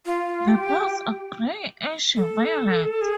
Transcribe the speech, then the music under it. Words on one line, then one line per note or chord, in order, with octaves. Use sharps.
The buds are grey-ashy-violet.
F4
G4
A4
G#4